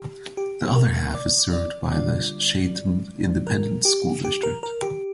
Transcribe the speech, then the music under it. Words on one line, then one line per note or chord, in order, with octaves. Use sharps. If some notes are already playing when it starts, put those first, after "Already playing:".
The other half is served by the Sharyland Independent School District.
Already playing: G4
G4
A#4
D5
D5
D3 G3 D4 F4 D5
A#4
G4
G4
A#4
A#4
G4